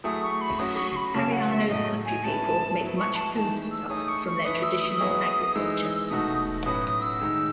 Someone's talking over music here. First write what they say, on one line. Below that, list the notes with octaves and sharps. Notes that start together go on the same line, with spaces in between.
Ariano's countrypeople make much foodstuff from their traditional agriculture.
F#3 A3 E4 G#4 D#6
C#6
B5
F#3 C#4 F#4 D#6
C#6
C#6
B5
C#3 F#3 C#4 G#4 C#5 A5
F#5
E5
A2 F#3 A3 D#5
G#5
G#3 C#4 E4 B4 A5
F#3 B3 E4
C#6
A5
E3 A3 D#4 G#4 A5
E6
A3 D#4 G#4 C#5 D#6
C#6
C#6
E3 A3 E4 B4 E5 D#6
E6
D#6
F#3 B3 E4 G#4 D#5
E3 G#3 D#4 E6
B2 A3 D#4 F#4 A4 D#6
A2 F#3 C#4 F#4 B4 D#6
D#6
E6
D#3 G#3 D#4